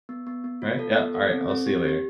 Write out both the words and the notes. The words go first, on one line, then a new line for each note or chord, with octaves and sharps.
Alright, yeah, alright, I'll see you later.
B3
B3
B3
F4
A4
B3
A4
C4
C4
G4
G4